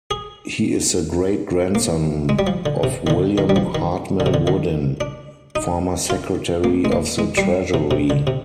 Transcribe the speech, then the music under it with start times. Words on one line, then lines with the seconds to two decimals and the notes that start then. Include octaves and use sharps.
He is the great-grandson of William Hartman Woodin, former Secretary of the Treasury.
0.11 G#4
1.75 A#3
2.29 G#3
2.39 G3
2.47 F3
2.66 D3
2.83 C3
3.07 D#3
3.10 D3
3.38 D#3
3.49 G3
3.56 F3
3.75 D#3
4.20 D3
4.26 C3
4.34 D3
4.47 D#3
5.01 D4
5.56 D#4
6.10 F4
6.64 A#3
6.85 G#3
6.92 A#3
7.19 G#3
7.37 G3
7.74 C3
7.91 C3
8.10 D3
8.27 C3